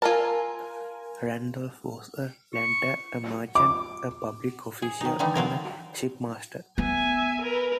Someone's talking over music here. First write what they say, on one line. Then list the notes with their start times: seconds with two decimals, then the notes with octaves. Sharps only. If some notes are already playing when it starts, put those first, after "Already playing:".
Randolph was a planter, a merchant, a public official, and a shipmaster.
0.02 F4 A4 A#4 G#5 A5
2.54 C#6
3.55 D6
4.82 G#4
5.01 D#3 D#4
5.19 D3 E3 G3 A3 D#4
5.35 F#3 F4 A#4
6.78 B3 E5 G#5
7.42 A#4 B4